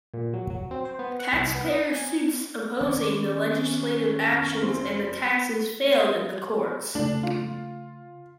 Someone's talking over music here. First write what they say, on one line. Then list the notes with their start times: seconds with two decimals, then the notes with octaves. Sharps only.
Taxpayer suits opposing the legislative actions and the taxes failed in the courts.
0.14 A#2
0.34 F#3
0.50 F#3
0.71 C4
0.85 C5
0.99 B3
1.19 F#5
1.33 C2
1.55 B3
1.69 D#5
1.90 G#5
2.81 D#3 B3 C#4 C#5 D5 D6
4.32 C#6 F6
4.62 F#1 C4 C6
6.95 C#3 A3 D4
7.23 F4